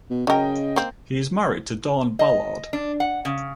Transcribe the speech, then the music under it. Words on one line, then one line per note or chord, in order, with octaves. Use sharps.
He is married to Dahn Ballard.
B2
C#3 F#3 A#4 D#5 G5
A#3 C4
D#5
D4
F#5
C#3